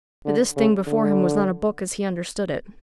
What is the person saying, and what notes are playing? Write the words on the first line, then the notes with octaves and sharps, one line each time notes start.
But this thing before him was not a book as he understood it.
D3
C#3
D3